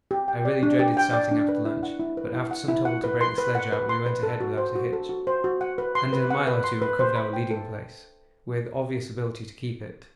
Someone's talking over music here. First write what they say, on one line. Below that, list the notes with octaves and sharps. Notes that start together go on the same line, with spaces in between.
I really dreaded starting after lunch, but after some trouble to break the sledge out, we went ahead without a hitch, and in a mile or two recovered our leading place with obvious ability to keep it.
G4
G5
D5
D4
G4
G5
D5
D4
B4
E4
F#5
E4
B4
E4
F#5
E4
F#5
B4
C6
B4
F#5
B4
C6
B4
A4
F#4
C5
F#4
A4
F#4
C5
F#4
F#5
B4
C6
B4
F#5
B4
C6
B4
C5
B5
G5
A4